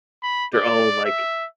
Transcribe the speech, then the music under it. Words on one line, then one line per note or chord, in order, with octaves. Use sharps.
their own, like,
B5
D5
E5